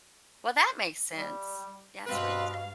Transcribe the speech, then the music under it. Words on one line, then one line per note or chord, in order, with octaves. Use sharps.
Well, that makes sense. That explains it.
G3
G2 B2 C4 B4 F5